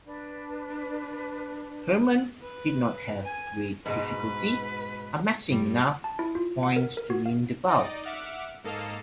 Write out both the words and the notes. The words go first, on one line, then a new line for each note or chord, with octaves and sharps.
Herman did not have great difficulty amassing enough points to win the bout.
D4 B4
B4
G#5
G#2 B2 G#3 B4
G2 G3
A5
E4
F4
F#5
A#4
A#4
F#4
F5
D#4 D5 D#5
E5 F#5 D6 F6
G#2 A#3 A4 D#5 F5 E7